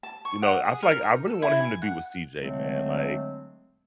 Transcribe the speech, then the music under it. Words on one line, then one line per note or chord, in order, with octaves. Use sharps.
you know, I feel like I really wanted him to be with CJ, man, like
A5
C#6
F#5
G#4
A#4
D#4
A4
E4
G#5
F#5
D3 F#3 G#3 A3 C4 D4